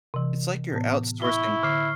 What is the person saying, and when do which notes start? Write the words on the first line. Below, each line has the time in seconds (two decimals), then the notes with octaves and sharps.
It's like you're outsourcing
0.14 C3 E3
0.72 A2 B3
1.22 E4 C#6 G7
1.63 D3 F6 C7